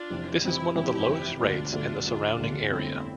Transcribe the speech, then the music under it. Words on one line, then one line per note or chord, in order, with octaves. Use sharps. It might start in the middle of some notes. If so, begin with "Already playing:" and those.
This is one of the lowest rates in the surrounding area.
Already playing: D4 F4
F1 F2 E3
F1 F2 E3 E4 G4
F1 F2 E3 E4 G4
F1 F2 E3
E1 D2 D3 D4 F4
E1 D2 D3 D4 F4
E1 D2 D3 D4 F4
E1 D2 D3
G1 F2 D3 A3 C4 E4